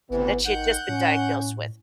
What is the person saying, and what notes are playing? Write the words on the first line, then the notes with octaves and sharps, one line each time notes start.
that she had just been diagnosed with.
G#1 D2 C3 E3 B3
D#3 F#5 G6
A2 C#4